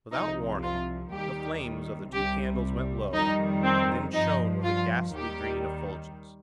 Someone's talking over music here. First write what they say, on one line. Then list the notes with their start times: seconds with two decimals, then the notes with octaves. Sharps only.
Without warning, the flames of the two candles went low, and then shone with a ghastly green effulgence.
0.12 C2 C3 F3 D#4
0.62 F4
1.12 D#2 D#3 G3 G4
2.13 C2 C3 G3 G4
3.13 F2 D#3 G3 D#4
3.63 C4
4.14 G2 F3 D#4
4.64 F4
5.14 D#2 D#3 G3 G4